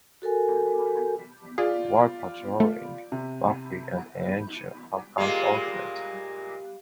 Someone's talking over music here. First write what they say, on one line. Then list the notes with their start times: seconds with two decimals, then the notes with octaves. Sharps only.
While patrolling, Buffy and Angel have an argument.
0.22 F#4 A4 A#4 G#5
1.58 F4 G#4 D5
2.60 A3
3.12 C3
5.18 A#2 G#3 A#3 G4 F5